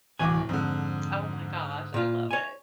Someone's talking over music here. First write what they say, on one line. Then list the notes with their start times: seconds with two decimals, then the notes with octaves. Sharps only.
Oh my gosh, I love it.
0.19 D1 C2 E3 F#4 G#5 D6
0.49 F2 G#2 D3
1.94 A#2 F4
2.31 C#5 G#5